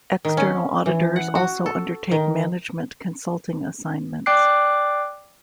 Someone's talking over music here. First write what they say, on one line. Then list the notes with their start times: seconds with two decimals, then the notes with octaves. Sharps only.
External auditors also undertake management consulting assignments.
0.25 D#3
0.37 C#4
0.86 E3
1.16 F#5
1.35 F#4
1.66 A4
2.11 D#3
4.26 D5 G5 D6 F#6 C7